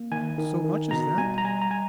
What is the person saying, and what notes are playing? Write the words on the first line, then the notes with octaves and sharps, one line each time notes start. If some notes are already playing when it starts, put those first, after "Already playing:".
"So much as that?"
Already playing: A#3
D#3 G#5
D#3
D#3
B2 A#5
G3 G#5
A#5
G3 G#5
A#5
G3 G#5